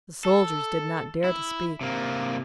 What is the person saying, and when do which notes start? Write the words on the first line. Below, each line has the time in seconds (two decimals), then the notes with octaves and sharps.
The soldiers did not dare to speak.
0.25 A4
1.24 E4
1.81 C3 A#3